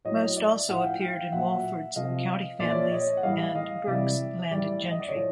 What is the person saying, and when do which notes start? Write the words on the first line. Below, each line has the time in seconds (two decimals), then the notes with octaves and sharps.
Most also appeared in Walford's "County Families" and Burke's "Landed Gentry".
0.05 A2 F#3 C#5 D#5
0.36 D5 E5
0.68 A2 F3 E5 F#5
0.84 F5 G5
1.00 F5 G5
1.32 A#2 F#3 E5 F#5
1.96 C3 F3 D#5 F5
2.59 A#2 F3 D5 E5
2.72 C#5
2.81 D5
2.91 C#5 D#5
3.17 F#5
3.23 A2 E3 G3 D#5 F5
3.55 D#5 F5
3.87 C3 E3 G3 D5 E5
4.50 A2 E3 G3 D5 E5
4.82 E5
4.91 D#5
5.00 D5
5.08 C#5 D#5
5.15 A2 F3